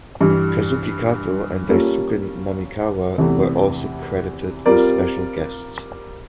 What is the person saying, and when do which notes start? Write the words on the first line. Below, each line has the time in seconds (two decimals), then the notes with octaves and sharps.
Kazuki Kato and Daisuke Namikawa were also credited as special guests.
0.21 G2 E3 G3
1.69 G3 A#3 C#4 F4 A4
3.18 E2 C3 E3 A3
4.66 G3 C4 F4 A#4 D5